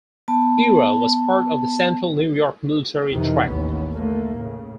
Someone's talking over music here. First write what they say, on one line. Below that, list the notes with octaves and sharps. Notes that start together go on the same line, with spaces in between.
Ira was part of the Central New York Military Tract.
B3 A5
F2 C3 D#3 E3
A1 D#2 B3 C#4
D3 A3 A#3
A2 C#3